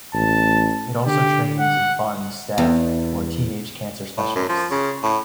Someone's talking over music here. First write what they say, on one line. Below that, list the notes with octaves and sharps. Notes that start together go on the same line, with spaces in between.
It also trains and funds staff who are teenage cancer specialists.
A1 A5
D3 G4
F#5
E2
A2
F#2
F3
C#3
A2